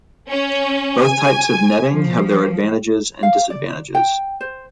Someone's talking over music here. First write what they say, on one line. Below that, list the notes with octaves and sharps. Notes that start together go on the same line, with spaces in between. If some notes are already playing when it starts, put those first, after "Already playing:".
Both types of netting have their advantages and disadvantages.
C#4
G#5
F3
F5
D5
G5
C5